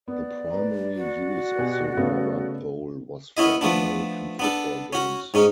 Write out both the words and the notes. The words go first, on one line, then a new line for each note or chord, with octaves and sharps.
The primary use of the Rubber bowl was for American football games.
B3 D5
B4 A#5
F#4
B2 G4 G#5
C#3 A3 B3
B3 C#4 E4 D#5
F3 A3 B3 D4
B3 D4 A4
C#4 F#4
G#2 C#4 D#4